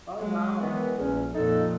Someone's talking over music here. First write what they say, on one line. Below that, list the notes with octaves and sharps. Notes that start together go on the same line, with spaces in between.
Oh, wow.
F#3 G#3
D#3 E3 B3
A#1 E2 C#4
F2 A#2 D#4 A4